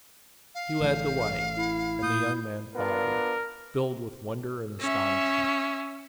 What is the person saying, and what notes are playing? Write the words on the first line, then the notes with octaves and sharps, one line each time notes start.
He led the way, and the young man followed, filled with wonder and astonishment.
F5
A1 E3 A3
E4
A2 D#6 G6
B3 D4 F4 A#4
C#4 E5